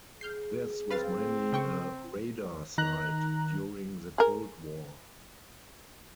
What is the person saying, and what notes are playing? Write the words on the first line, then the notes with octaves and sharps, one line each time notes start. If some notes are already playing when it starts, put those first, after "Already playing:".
This was mainly a radar site during the Cold War.
G#4 F6 G6 C7
C4 B4 F5 A6
C#3 G5 C#6
D#3 A#5 F#6
G#4 A#4